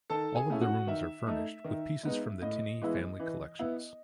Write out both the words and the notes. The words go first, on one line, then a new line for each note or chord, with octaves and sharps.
All of the rooms are furnished with pieces from the Tinney Family collections.
D#3 A4 A5
G#4 G#5
A3 C#4 E4
F#4 F#5
D#3 E5
A3 D#4
D#3
G#3 B3 D#4
A2 D#5
E3 G#3 B3 E4
E3
B3 E4